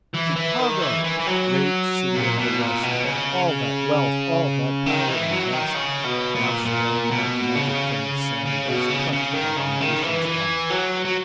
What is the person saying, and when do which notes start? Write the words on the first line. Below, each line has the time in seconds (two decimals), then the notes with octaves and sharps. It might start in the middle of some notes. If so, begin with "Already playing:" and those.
Chicago! great city of the West! All that wealth, all that power invest; Thou sprang like magic from the sand, As touched by the magician's wand.
0.14 E3
0.36 E3
0.59 D#3
0.81 E3
1.04 E3
1.19 E3
1.26 F#3
2.15 A#2
2.38 B2
2.61 A#2
2.83 B2
3.05 C#3
4.86 D#3
5.08 E3
5.31 F#3
5.54 D#3
5.75 C#3
6.05 B2
6.35 A#2
6.65 A#2
7.11 B2
7.55 C#3
8.45 C#3
8.68 B2
8.90 C#3
9.13 C#3
9.35 D#3
9.58 C#3
9.81 D#3
10.02 E3
10.25 E3
10.70 F#3
11.05 F#3